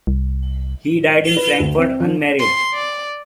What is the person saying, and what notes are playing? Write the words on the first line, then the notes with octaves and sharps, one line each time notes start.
He died in Frankfurt, unmarried.
C2
B4
D2
C4
F3
C6
D5